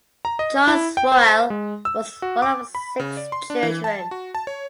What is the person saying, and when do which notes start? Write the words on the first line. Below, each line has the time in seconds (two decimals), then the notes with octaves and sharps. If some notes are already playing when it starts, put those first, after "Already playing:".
Charles Roehl was one of six children.
0.25 A#5
0.39 D#5
0.67 E4
0.97 G5
1.12 C5
1.50 G#3
1.85 E6
2.22 F#4
2.42 D6
2.75 B5
3.00 C#3
3.17 D5
3.32 C6
3.50 D4
3.63 E3
3.84 A5
4.11 F#4
4.35 A5
4.47 C#5